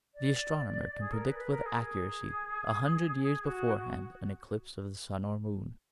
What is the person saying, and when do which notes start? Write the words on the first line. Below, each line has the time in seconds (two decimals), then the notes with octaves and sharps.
The astronomer can predict with accuracy a hundred years beforehand an eclipse of the sun or moon.
0.14 D5
1.00 G#4
1.12 A#4
1.25 B4
1.38 B4
1.51 A#4
1.66 G#4
1.79 G#4
3.44 F#4